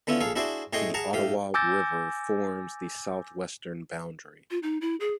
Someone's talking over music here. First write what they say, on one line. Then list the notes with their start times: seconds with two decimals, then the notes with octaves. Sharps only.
The Ottawa River forms the southwestern boundary.
0.07 D3 B3 C#4 E4 F4
0.20 A#1 G#4 A4 F5
0.36 D4 E4 F#4 G#4 C5 D5
0.73 A2 G#4 C#5 D#5 G5 C6
0.94 G#4 F#5 A5 A#5
1.13 A2 G4 F5
1.54 G#5 D6 E6 G6 A6 A#6
4.51 F4
4.63 D#4
4.81 E4
5.00 G#4